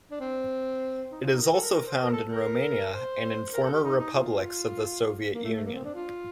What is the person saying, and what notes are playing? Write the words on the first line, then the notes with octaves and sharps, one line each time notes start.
It is also found in Romania and in former republics of the Soviet Union.
D4
C4
D#4
F4
D#4
A#4
A4
A#4
A#4
C5
A#4
A4
A#4
C5
A#4
A4
G4
D#4
D#4
F4
A#3
A3
A3
A#3
C4
D4
F4